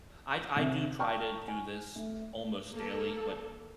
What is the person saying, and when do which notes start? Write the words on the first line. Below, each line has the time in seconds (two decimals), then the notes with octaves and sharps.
I d I do try to do this almost daily, but,
0.56 C3 E5
0.99 G5 A5 A#5 C#6 F6
1.48 G#5
1.96 A3
2.73 A#3 A4